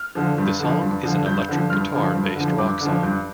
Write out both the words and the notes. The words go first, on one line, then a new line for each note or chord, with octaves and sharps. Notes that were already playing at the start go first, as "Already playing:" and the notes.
The song is an electric guitar-based rock song.
Already playing: F6
D3 F3
G2
D3 F3
G2
D3 F3
G2 G6
D3 F3
G2 F6
D3 F3
G2
D3 F3
G2 D6
D3 F3
G2